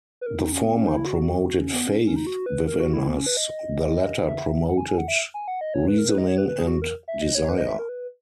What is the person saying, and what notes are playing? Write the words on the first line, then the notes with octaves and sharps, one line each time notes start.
The former promoted faith within us, the latter promoted reasoning and desire.
B4
A#4
D#4
C#4
B3
C#4
D#4
E4
F#4
F#4
C#4
B3
C#4
C#4
D#4
F#4
B4
A#4
F#4
E4
B3
C#4
B4
D#5
E5
F#5
G#5
G#5
F#5
E5
G#5
F#5
D#5
C#5
B4
A#4
B4
D#5
C#5
B4
B4
G#4
F#4
A#4
E5
D#5
C#5
B4
D#5
E5
A#4
B4